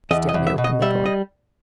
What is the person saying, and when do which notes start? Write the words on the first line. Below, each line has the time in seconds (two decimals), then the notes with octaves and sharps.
Stanley opened the door.
0.11 E2 D#5
0.29 D#5
0.34 E2
0.47 E5
0.58 B2
0.64 D#5
0.82 G3 E5
1.06 D#5